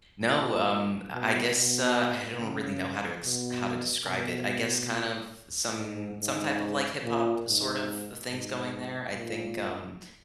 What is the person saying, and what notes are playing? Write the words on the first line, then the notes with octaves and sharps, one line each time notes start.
No, um, I I guess, uh, I don't really know how to ex how to describe it. I guess kind of some some type of, like, hip-hop sort of a things going there, I think, um,
A#2
B2
B2
C#3
B2
B2
G#2
G#2
A#2
G#2
G#2
A#2